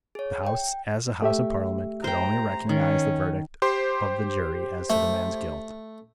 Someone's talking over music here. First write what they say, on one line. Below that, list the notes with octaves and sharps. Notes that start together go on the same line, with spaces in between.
The House, as a House of Parliament, could only recognise the verdict of the jury as to the man's guilt.
G#4 C#5
G5
A3 G4 E5
C5 G5 A#5
D#3 C#4
G4 C5 C6
A3